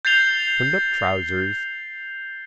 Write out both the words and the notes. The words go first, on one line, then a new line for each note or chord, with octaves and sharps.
Turnedup trousers.
G6 A6 C7 F7 G7